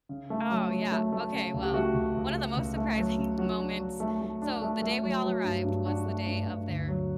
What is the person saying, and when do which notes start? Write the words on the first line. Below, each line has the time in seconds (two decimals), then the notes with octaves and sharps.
Oh, yeah, okay. Well, one of the most surprising moments so, the day we all arrived was the day of their
0.09 C#3
0.30 A3
0.51 F#3
0.71 F#3
0.92 A3
1.12 A3
1.33 C#3
1.54 C#2
1.63 G4
1.74 A3 F#4
1.94 C#2
2.15 C#2
2.36 A3
2.57 C#2
2.77 A3
2.98 F#3
3.18 C#3
3.38 F#3 F#4
3.59 D4
3.79 F#3
4.00 A3
4.21 A3
4.42 D4
4.62 A3
4.82 A3
5.04 F#3
5.24 F#3
5.44 G2
5.64 G2
5.85 D4 F#4
6.06 A3
6.27 G2
6.47 G2
6.68 D2
6.89 F#3